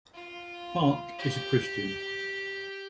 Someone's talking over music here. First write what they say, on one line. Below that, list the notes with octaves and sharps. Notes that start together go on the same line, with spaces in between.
Park is a Christian.
F4
G4